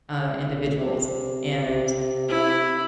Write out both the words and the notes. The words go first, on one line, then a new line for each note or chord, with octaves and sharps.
uh, individuals, and
C3
C3
E4